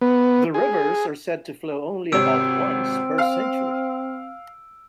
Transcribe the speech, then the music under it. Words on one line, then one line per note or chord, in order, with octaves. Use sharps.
The rivers are said to flow only about once per century.
B3
G#4
G#1 C3 C4 C#5 E6 D7
F5 F6